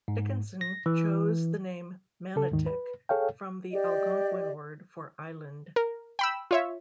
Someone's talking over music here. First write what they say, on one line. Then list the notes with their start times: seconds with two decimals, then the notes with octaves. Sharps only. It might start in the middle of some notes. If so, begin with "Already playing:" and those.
Dickinson chose the name 'Manotick' from the Algonquin word for 'island'.
0.08 G#2
0.61 A#6
0.86 E3
2.36 C#3 A4
2.51 D#2 G#2 D#3
2.66 B4
3.09 G#4 A4 C#5 F5 G5
3.71 G4 D5 D#5
5.76 A#4
6.19 G5 B5 E6
6.51 F4 C#5 E5